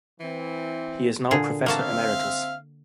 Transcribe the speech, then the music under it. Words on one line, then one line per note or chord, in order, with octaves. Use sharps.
He is now professor emeritus.
E3 C4
A#2 D3 G#4
A#3 C4 F#4 E5 F5 A5